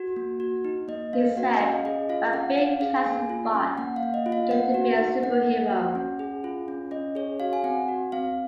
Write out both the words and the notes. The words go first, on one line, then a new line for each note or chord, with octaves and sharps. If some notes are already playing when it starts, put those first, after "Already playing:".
He said, about being cast as Bot, I get to be a superhero.
Already playing: F#4
A#3
F#4
D#4
A#3 D#5
A#3 F5
F#4 F#5
D#5
C#4 F5
G#4 D#5
F4 F5
C#4 F#5
C#4 F5
G#4 F5
A#3 G#5
F4
C#4
A#3 F#5
F5
A#3
D#5
F4
F5
A#3 F#5
F#4
D#4
A#3 F#5
A#3
F#4
C#4
G#4
F4
C#4
C#4 D#5
G#4 C#5
F#4 F5
G#5
C4 F#5
F#4
C4 F5